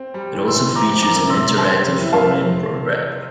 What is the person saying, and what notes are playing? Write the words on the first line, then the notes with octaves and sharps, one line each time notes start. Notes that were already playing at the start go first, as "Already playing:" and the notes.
It also features an interactive phone-in programme.
Already playing: C4
G3
E3
C6 E6
E3
C4 A#5 D6
F3
A#5 D6
C3
C6 E6
C3
C4 A5 C6
G3
E4
F5 A5
C3